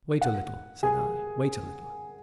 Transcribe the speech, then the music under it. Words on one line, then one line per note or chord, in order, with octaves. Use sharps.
"Wait a little," said I, "wait a little."
F#5
G#4 G#5